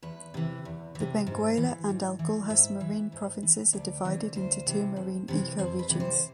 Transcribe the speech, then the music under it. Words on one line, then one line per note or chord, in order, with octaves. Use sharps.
The Benguela and Agulhas marine provinces are divided into two marine ecoregions.
E2 B4
C3 E3
E2
E3
C3
G#2
E3
G#2
E3
G#2 E5
E3
G#2
E3
D2 D5
C3 E3
D2 C5
C3 E3
F2
C3 E3
F2 C5
B4
C3 E3
C5